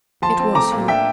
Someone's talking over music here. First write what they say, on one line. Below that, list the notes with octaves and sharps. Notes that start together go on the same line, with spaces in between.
It was he.
F3 A5 C6
C4
A3 A#5 D6
A#2
D4 E5 G5